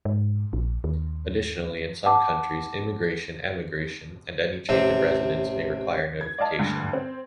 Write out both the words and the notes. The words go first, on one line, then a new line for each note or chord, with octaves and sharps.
Additionally, in some countries, immigration, emigration, and any change of residence may require notification.
G#2
A#1
D#2
F#5 A5 D6
A1 C3 C4
G#6
D5 D#5 F5 A5
D2 G2
C4